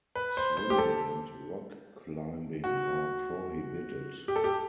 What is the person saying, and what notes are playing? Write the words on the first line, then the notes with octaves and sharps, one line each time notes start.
Swimming and rock climbing are prohibited.
B4
C5
C5
G4
A4
F#4
G4
A4
G4